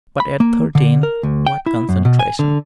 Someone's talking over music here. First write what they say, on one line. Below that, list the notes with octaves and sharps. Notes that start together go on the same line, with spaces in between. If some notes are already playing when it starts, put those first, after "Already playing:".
But at thirteen--what concentration!
B5
A#3
D3
A#4
D2
G5
E4
F#2
B2
G#5
D3